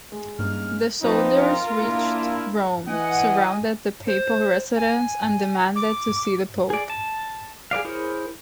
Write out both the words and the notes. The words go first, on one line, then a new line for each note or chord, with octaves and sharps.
The soldiers reached Rome, surrounded the papal residence, and demanded to see the pope.
G#3
G2 A#3 C#4 D#4 F6
F3 C4 D#4 B4 A5
F4 A#4
A#3 D4 E4
E3 D#5 F#5 G#5
C5
G#5
D6
G#4 D5
A5
G#4 B4 D5 F5
E4 G#4 A#4 C5 C#5